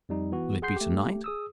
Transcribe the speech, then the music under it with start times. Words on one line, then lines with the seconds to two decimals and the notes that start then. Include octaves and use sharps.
"Will it be to-night?"
0.09 F2 G3 D#4
0.32 E3 B3 F#4
0.62 G#4 F#5 C6 G6 C7
0.76 A3 G4
1.24 G#4 D#6 E6